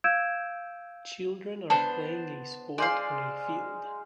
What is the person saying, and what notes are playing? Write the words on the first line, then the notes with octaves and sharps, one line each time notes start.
Children are playing a sport on a field.
F5 E6 G6 G#6 D7 E7
B3 D4 C5 A5
G#3 C5 D5 F5 C6